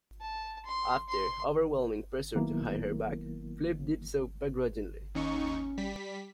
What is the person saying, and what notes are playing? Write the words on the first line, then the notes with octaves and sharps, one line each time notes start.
After overwhelming pressure to hire her back, Phillips did so begrudgingly.
A5
C6
C6
D#3 F#3 A#3 B3 E4 A#4
D#2 C#4 D#4 C#6
G3 B6